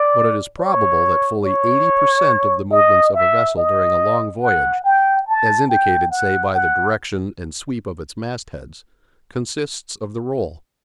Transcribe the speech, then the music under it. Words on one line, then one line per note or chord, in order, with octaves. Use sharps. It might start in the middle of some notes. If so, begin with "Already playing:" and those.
But it is probable that fully eighty per cent. of the movements of a vessel during a long voyage--as indicated, say, by the direction and sweep of its mast-heads--consists of the roll.
Already playing: D5
C#5
C#5
D#5
E5
D#5
F#5
G5
A5
G5
F#5
F#5